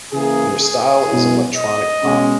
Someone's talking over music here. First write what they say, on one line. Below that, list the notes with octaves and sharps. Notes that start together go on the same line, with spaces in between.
Their style is electronic pop.
C#3 E3 A#3 G#4
G#4
B2 G#3 B3 E4
D#5
B2 G#3 C#4